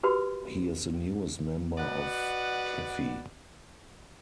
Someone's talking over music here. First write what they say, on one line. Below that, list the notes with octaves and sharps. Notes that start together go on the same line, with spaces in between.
He is the newest member of Kaffe.
F#4 G4 A#4 B4 B5 C6
F#4 B4 D5 D#5 F#5